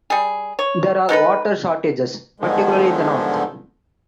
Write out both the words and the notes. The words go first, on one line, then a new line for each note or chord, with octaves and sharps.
There are water shortages, particularly in the north.
G3 G#4
C#5
G#3 D#4 A4 B4
E2 G2 D3 D#3 F3 G#3